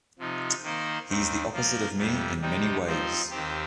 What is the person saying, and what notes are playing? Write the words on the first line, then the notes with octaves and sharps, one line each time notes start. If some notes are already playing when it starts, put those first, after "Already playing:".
He's the opposite of me in many ways.
C3 F3 D#4
D#3 A#3 D#4 C5
D#2 D#3 C4
F3 A#3 F4 A#4
F2 C3 G3
C3 G3 C4 D#4
F3 C4 D#4 C5
D#2 D#3 C4 G4